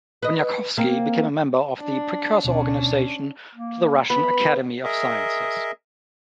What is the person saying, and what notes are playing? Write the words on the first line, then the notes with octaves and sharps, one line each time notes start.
Bunyakovsky became a member of the precursor organization to the Russian Academy of Sciences.
B4 D#5
A#3 C4
D4
D2 B2 C#4 D4
A#3
B3 B5
G#4 A#4 D#5 E5